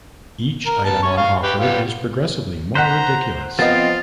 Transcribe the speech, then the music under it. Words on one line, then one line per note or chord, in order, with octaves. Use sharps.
Each item on offer is progressively more ridiculous.
A#4
B3 A5
C#4 C#6
F5 C#6
G4 B4
G3 B3 F4
C5 F#5 A#5 F#6 B6
F3 B3 C4 F4 D#5 A6